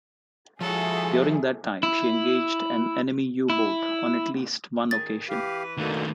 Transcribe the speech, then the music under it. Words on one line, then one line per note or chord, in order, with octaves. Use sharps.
During that time, she engaged an enemy U-boat on at least one occasion.
F3 E4 F#4 G#4 A4 C#5
E4
E4
D#3 G#4 A6
E3 G4 B4 F5
B2 D3 D#3 A3 A#3